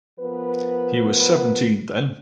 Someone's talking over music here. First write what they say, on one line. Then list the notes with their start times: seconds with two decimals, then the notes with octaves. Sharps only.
He was seventeen then.
0.20 F3 B3 A#4 B4